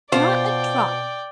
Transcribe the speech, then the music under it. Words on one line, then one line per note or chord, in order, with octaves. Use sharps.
'Not a drop.
B2 F4 C5 D5 G5